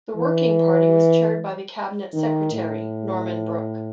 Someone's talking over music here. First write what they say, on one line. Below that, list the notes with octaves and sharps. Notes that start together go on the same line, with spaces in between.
The Working Party was chaired by the Cabinet Secretary, Norman Brook.
E3
D#3
A2